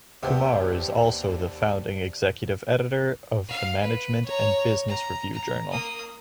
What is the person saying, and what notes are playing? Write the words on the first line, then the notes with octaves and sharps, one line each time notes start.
Kumar is also the Founding Executive Editor of the Management and Business Review journal.
D#2 C3 B3 D5 E5 G5 A5
F5
B4
C#5 A#5
A#5
A#5
A#3 D#6